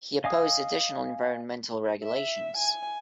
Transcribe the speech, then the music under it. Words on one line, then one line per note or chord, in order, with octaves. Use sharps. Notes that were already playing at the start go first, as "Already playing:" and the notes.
He opposed additional environmental regulations.
D#5 F5 G#5 D#6
E5
G#5